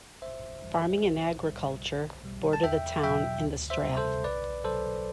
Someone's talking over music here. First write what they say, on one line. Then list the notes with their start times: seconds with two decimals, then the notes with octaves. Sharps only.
Farming and agriculture border the town in the strath.
0.22 G1 C5 E5
0.62 F#2 E3 G3
1.02 B1
1.43 A2 G3
1.83 B1
2.24 B2 G3
2.53 A5
2.63 E2 E5 G5
3.03 B2 F#3 E5 G5
3.44 D2
3.70 C5 E5
3.84 C3 G3
3.97 A4 C5
4.24 B1 B4 D5
4.64 B2 F#3 A4 C5